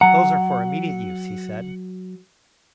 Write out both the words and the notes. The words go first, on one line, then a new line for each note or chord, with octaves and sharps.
"Those are for immediate use," he said.
F#3 F#5 A#5